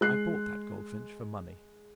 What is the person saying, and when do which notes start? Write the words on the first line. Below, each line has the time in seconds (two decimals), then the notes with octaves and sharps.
I bought that goldfinch for money.
0.01 G#3 F#6 C7